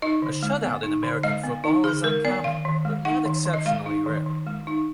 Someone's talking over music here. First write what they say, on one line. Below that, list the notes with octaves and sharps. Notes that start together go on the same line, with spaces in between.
A shutout in American football is uncommon but not exceptionally rare.
D#4 D#5
D3
G#3
B3
D#4
D3
G#3 D#5
B3
D#4
D3 G#4
G#3 A#4
B3 D5
D#3 F5
D#3
G#3
D#4 F#5
D#3
D#3
D#5
G#3 F5
D#4
D#3
D#3
G#3
D#4